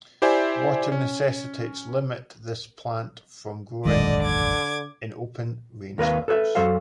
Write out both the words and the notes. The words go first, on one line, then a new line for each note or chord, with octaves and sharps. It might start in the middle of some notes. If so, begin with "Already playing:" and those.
Water necessities limit this plant from growing in open rangelands.
E4 G4 C5 D5 E5 G#5
C#4
E1 A1 F#2 D3 D#3 G#3 D5 D#5
D6 G#6
D#2 A#4 B4 F5
A4 B4 C#5 E5
F#2 F#3 A4 C5 F5